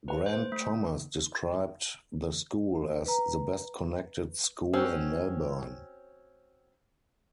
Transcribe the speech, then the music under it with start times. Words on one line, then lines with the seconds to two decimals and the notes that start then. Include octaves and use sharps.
Grant Thomas described the school as 'the best-connected school in Melbourne'.
0.08 B4
0.26 C5
0.52 A3
3.06 B4 A#5
4.74 C4 C#4 F#4